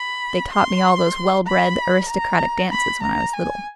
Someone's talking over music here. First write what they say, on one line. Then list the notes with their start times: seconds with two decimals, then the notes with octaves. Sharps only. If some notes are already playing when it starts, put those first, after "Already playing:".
"They taught me all those well-bred, aristocratic dances when I was little...."
Already playing: B5
0.53 C6
1.47 B5
2.09 A#5
2.71 B5
3.03 A#5
3.33 G#5